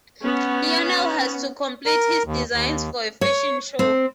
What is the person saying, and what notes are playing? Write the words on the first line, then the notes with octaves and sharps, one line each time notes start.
Lionel has to complete his designs for a fashion show.
B3 C#4
A#4
D#2
D#2
C#5
C4